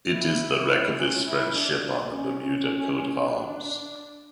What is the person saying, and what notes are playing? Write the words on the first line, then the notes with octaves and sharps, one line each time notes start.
It is the wreck of this French ship on the Bermuda coat of arms.
E4
C#4
E4
D4
D4
C#4
C#4
D4